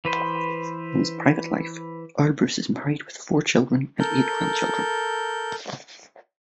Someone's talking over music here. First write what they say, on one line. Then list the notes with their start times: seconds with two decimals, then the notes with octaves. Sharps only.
In his private life, Earle Bruce is married with four children and eight grandchildren.
0.05 E3 B4 C5
3.99 A4 A#4 G6